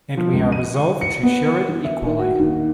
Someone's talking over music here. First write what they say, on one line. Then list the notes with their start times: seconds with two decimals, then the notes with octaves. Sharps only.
And we are resolved to share it equally.
0.17 F3
0.33 C#2
0.52 D#7
1.01 C#7
1.23 B3
1.69 E3
1.85 E5
2.05 D#3
2.19 F#4
2.39 D#2